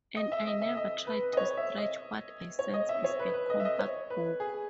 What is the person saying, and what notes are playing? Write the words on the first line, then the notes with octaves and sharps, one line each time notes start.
And I never try to stretch what I sense is a compact book.
D#5
E5
D#5
E5
D#5
B4
D#5
C#5
E5
D#5
C#5
D#5
E5
C#5
B4
B4
D#5
E5
D#5
C#5
B4
G#4